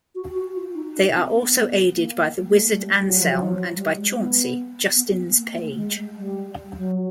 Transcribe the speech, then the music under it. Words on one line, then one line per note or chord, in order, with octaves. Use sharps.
They are also aided by the wizard Anselm and by Chauncey, Justin's page.
F#4
F#4
F4
D#4
D4
C4
B3
A#3
A#3
A3
G3
G3
F#3
F3
F#3
G3
G#3
B3
B3
A#3
A3
A3
G#3
G#3
G3
F#3